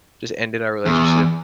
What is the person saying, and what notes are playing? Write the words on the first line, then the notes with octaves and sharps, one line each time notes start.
just ended our relationship.
E2